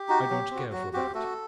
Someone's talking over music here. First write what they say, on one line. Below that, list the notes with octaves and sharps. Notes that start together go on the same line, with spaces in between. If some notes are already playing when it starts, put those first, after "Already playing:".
I don't care for that.
Already playing: G4
D#4 F#4
F#3
C4 F#4
F#3 F#4
C4 F#4 G4
A3 F#4 A4